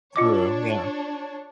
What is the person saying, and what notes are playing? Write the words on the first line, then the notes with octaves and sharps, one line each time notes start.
True, yeah.
D4 F4 C#5 D#5 D6